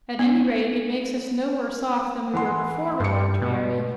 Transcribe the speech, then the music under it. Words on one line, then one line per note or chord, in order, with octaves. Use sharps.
"At any rate, it makes us no worse off than we were before," remarked Mary.
B3
E3 F#5 C6
G2 C6 C#7
B2